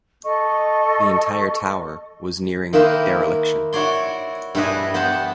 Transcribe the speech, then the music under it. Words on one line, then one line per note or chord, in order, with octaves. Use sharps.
The entire tower was nearing dereliction.
A4 D#5 C#6
D#3 A#3 E4 B4 C5
E4 F#4 C#5 D5 C6
G2 E4 B4 D5 D#5 G#5
B3 G4 C5 F#5 A5